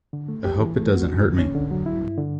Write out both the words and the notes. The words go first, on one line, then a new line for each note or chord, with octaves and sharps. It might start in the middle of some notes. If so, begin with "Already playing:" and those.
I hope it doesn’t hurt me.
D3
A3
G4
E3
A3
F#4
E2
D3
C#4
D3
F#3
E4
G2
D3